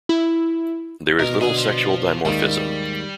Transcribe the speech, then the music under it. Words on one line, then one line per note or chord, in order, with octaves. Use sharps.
There is little sexual dimorphism.
E4
B2 A#4
B2 D3 B3 G#4
F3
D#2 G#2 G3 A#3